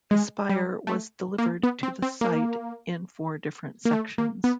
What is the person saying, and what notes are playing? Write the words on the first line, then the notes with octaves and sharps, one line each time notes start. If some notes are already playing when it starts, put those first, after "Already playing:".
The spire was delivered to the site in four different sections.
G#3
G3
A3
A#3
B3
C4
C4
A#3
A#3
A3
A#3
B3